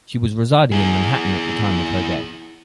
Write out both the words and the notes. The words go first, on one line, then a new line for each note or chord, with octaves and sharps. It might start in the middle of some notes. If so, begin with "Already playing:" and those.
She was residing in Manhattan at the time of her death.
E4 G#4